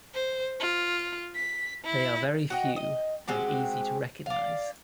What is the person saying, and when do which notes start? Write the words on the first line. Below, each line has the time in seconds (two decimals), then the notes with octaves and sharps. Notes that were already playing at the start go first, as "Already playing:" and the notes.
They are very few, and easy to recognize.
0.14 C5
0.60 F4
1.35 B6
1.84 E4
2.50 F#4 D#5 G5
2.76 D#5
3.28 G#3 C4 F#4 G4
4.26 D5 F5